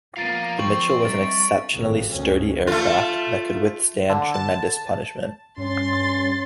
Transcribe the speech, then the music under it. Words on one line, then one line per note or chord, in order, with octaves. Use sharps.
The Mitchell was an exceptionally sturdy aircraft that could withstand tremendous punishment.
A#2 F3 B3 F4 A#4 F5 A6 D#7
D#3 F3 C4 C#6 F#7
G3 D#4 B4 E5 A6 D7
G#1 F2
D2 C#4
A3 F4
D3
A5
G2 C#4 C6 A6